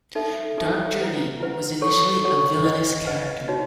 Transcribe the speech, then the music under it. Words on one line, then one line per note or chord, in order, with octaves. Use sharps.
Dark Journey was initially a villainous character.
D#4 A4 E5
D#4 A4 E5
E4 B4 F#5
E4 B4 F#5
A4 C#5 F#5 C#6
A4 C#5 F#5 C#6
B4 D#5 F#5
B4 D#5 F#5
D#4 F#4 C#5